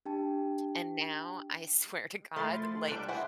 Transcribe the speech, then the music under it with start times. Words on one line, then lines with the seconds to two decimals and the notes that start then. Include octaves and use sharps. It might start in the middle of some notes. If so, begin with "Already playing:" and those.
and now, I, swear to God, like,
0.06 D4 G4 G5 A5
2.36 F3 A3 E4 C6 A6
2.88 G3 D4 A4 G5 F#6 D7
3.08 E4 G#4 C5 F#5